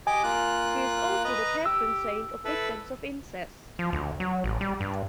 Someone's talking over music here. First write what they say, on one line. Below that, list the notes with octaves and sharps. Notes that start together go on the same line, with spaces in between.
She is also the patron saint of victims of incest.
G4 D#5 G#5 D6
A#3 F4 F#6
B4 D#5 A#5
G4 E6
E4 A4 B4
F3
D2
F#3
A1
G3
G2